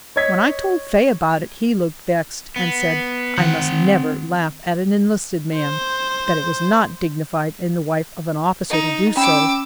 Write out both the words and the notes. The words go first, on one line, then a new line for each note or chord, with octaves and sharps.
When I told Faye about it, he looked vexed and said I must never laugh at an enlisted man--that it was not dignified in the wife of an officer to do so.
C#5 D#5 G#6 B6
B3
D#3 C4 F#5
C5
D#4
C#4 G5 B5 D6 E6